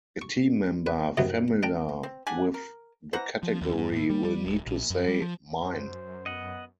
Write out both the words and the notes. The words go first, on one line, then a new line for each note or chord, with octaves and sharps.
A team member familiar with the category will need to say Mine!
C#6
B4
F#2 C3 D#3 F#3 B3
D4 G5 A#5
C4
D4 G4 F#5 G#5
A#4
E3 C5 F#5 A#5
F3
D#2
G2
A2
G3
G3
D#1
A#1
F#2
G3
F3
F#2 C5
B3 D#5 F#5